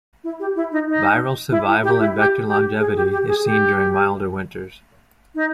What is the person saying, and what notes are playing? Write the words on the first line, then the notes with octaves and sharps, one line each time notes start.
Viral survival and vector longevity is seen during milder winters.
E4
G4
E4
D#4
D#4
E4
E4
G4
E4
G4
G4
G#4
G4
G4
G#4
G4
D#4